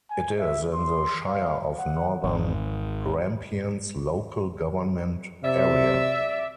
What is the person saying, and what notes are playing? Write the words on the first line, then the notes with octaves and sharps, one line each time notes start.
It is in the Shire of Northern Grampians local government area.
G#5
E5
C6
F5
F#5
G#1
C3 D5 E5